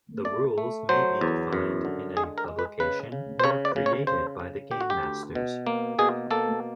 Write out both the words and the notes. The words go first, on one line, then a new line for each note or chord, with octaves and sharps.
The rules may be defined in a publication or created by the gamemasters.
A3 D5
A3
F#3 C5
E2
F#2
D3
G#3 G#4
A#4
G#3
B4
C#3 B4
C#3
C5
C#3 C#5
D5
C#3
C#5
C#3 C5
C#3
D2 G4
F#4
G4
D2
B2
A#3
B2 G#4
A#3 A4